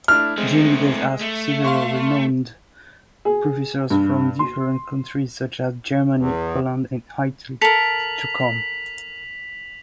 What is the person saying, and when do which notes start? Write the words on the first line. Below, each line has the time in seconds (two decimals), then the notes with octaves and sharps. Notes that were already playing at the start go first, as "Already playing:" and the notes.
Jean Vitéz asked several renowned professors from different countries such as Germany, Poland, and Italy to come.
0.08 A3 D4 E4 F6
0.38 G#3 A3 C4
1.21 A3
1.65 F5 C6 C#6
3.25 G#4
3.90 G2
4.39 C6
6.18 E2
7.62 A4 A#4 B6 F7 F#7